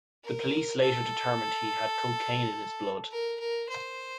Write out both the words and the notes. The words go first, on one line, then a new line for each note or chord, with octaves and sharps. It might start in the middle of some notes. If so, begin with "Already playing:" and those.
The police later determined he had cocaine in his blood.
A#4
A4
A#4
A#4
C5